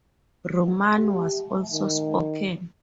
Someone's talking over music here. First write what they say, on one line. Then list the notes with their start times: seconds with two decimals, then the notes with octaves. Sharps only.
Romani was also spoken.
0.98 G4
1.73 D#3